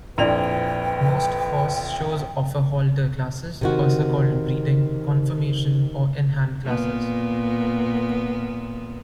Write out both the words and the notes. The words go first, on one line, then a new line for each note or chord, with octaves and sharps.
Most horse shows offer Halter classes, also called "breeding," "conformation," or "In-hand" classes.
A#1 F2 E4 B4 D5 G5 A#5 F7
C3 D#3 F#4
A#2 B3